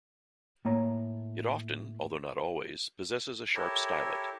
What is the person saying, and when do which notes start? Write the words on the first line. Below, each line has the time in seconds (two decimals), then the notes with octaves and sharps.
It often, although not always, possesses a sharp stylet.
0.65 A2 A#3 C#5 A#5
3.54 E4 G4 A4 A#4 C#5